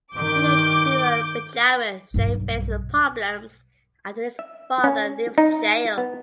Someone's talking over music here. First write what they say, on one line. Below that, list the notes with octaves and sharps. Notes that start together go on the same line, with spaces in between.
Teenage swimmer Benjamin Lane faces problems after his father leaves jail.
G2 D#3 D6 G6
B1 G2
E5
C#4
D#4
B3